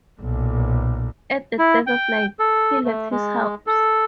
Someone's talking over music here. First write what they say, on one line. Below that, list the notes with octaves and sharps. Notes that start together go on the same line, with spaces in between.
At the dead of night, he left his house.
B1 A#2
E4
G5
A4
A3
G#3
A4